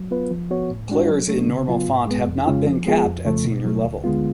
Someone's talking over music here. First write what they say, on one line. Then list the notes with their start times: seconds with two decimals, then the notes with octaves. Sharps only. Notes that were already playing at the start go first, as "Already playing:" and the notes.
Players in normal font have not been capped at senior level.
Already playing: F#3
0.11 B3 F4 B4
0.31 F3
0.51 B3 F#4 C#5
0.70 A2
0.89 G#3 D4 F#4
1.09 F#3
1.29 A3 D4
1.48 C#3
1.68 F#3 B3 F4
1.87 G#2
2.07 G#3 B3
2.27 F2
2.46 C#3 G#3 C#4 F4
2.66 F3
2.86 G#3 B3 F4 G#4
3.05 F2
3.25 C#3 F3 A3
3.45 B2
3.64 F#3 A3
3.84 D2
4.04 D3 G#3 B3 F4